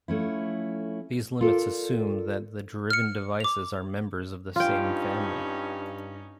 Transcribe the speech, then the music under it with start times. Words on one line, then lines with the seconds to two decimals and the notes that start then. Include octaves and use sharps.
These limits assume that the driven devices are members of the same family.
0.08 F3 A3 C#4 E4
1.41 F4 A4 A#4 D5
2.90 F6 C#7
3.40 D6 F7
4.56 G2 C#4 D#4 F4 G5